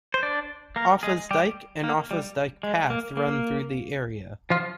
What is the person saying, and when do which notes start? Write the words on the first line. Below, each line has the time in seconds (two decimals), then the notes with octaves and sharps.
Offa's Dyke and Offa's Dyke Path run through the area.
0.14 C5
0.23 D4 D5
0.76 A#3 A#4
1.03 G#3 G#4
1.31 G3 G4
1.84 A#3
2.11 G3
2.63 G#3
2.90 A#3
3.17 A#3
4.50 F3 F4